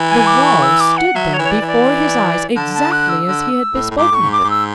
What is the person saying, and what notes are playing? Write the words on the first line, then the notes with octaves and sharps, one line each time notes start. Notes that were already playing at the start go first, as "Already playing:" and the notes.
The wall stood there before his eyes, exactly as he had bespoken it!
Already playing: E3
G#5
D6
C#6
E6
D6
F#5
F#3 E5
C#5
E3
C#5
D5
E3
D5
D3 A5
A5
F#6
E6
D3
A2
A2
G#2 D6
A2 C#6
G#2
D6
F#2
G#2
E6